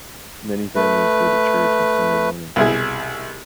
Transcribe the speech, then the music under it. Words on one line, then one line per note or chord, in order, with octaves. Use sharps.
Many families go to church on Sunday mornings.
A3 B4
C2 B2 E4 G#4